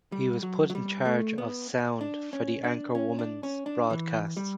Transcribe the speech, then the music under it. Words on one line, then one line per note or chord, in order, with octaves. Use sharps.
He was put in charge of sound for the anchorwoman’s broadcasts.
G3
F#3
F#3
G3
A3
B3
D4
C#4
D4
C#4
D4
C#4
D4
E3
G3